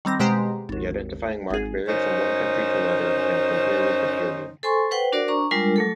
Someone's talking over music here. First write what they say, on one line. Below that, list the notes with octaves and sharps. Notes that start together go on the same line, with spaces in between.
The identifying mark varied from one country to another, and from period to period.
D#3 G3 C4 A#6
B2 G#3 G4 C5 A#5 C6
G#1 D#2
G#1 G#4
F#2 C#4 D#4 C5
A4 C5 G#5 C6 C#6
B4 C5 F#5 G5
D4 F#4 A#4 C5 D5
D4 A#5 C#6
G3 G#3 D4 F4 A#4
F#3 A3 A4